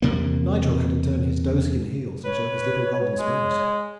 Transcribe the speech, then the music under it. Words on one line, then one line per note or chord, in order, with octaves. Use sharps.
Nigel had to turn his doeskin heels and show his little golden spurs.
E2 C3 A#3
B4 C#5
G#3